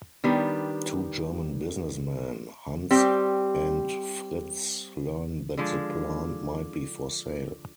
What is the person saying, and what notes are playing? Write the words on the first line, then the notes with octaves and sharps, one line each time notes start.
Two German businessmen, Hans and Fritz, learn that the plant might be for sale.
D#3 G3 B3 D4 G4
G3 C4 G4
D3 F3 G#3